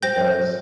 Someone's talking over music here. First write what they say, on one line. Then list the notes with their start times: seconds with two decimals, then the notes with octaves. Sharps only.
It does.
0.03 C5 G5 G6 A#6